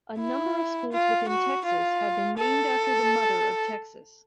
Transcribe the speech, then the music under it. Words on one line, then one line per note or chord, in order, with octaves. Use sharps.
A number of schools within Texas have been named after the Mother of Texas.
E4
F4
F#4
F4
A4